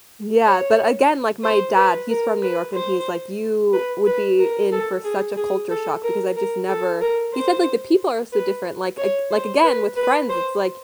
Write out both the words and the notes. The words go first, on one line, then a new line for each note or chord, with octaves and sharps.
Yeah, but again, like my dad, he's from New York and he's like, "You would be in for such a culture shock because I've just never" he said, like, the people are so different, like ag like, again, with friends, it's like
C#5
C5
B4
A#4
B4
C5
B4
B4
A#4
A4
G#4
G#4
A4
A#4
A#4
A4
A#4
C5
B4
C#5
C5
B4
B4
C5